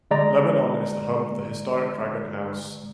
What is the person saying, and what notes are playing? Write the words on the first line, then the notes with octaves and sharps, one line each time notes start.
Lebanon is the home of the Historic Cragun House.
D3 G#3 D5 A#5